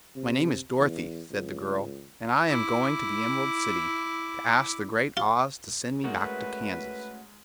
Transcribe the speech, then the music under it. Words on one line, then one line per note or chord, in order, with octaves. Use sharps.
"My name is Dorothy," said the girl, "and I am going to the Emerald City, to ask the Great Oz to send me back to Kansas."
C3
E2
C#2
E4 D6
F4
G#3 A3 C#4 F#4 A#4
B4